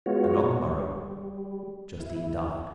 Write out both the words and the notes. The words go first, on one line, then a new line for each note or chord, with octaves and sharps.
And on the morrow Justine died.
G#3 B3 F4 F#4 C#5
G3
E4